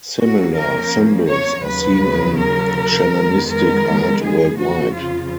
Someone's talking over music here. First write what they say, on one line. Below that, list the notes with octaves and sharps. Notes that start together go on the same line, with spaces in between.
Similar symbols are seen in shamanistic art worldwide.
F2 F3 A#3 C#4 F#4
A#4
C#5
D#2 C#3 F#3 B4
A#4
F2 D#3 G#3 B3
A#4
G#4
F2 C#3 F3 F#4
F4